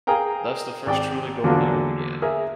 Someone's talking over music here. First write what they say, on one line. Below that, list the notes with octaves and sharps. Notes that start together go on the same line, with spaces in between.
Thus the first truly golden era began.
G#4 A#4 F5 G5 A#5
G#1 D5 G5
E2 D3 F3 F#3 A#3 D4
G#4 A#4 E5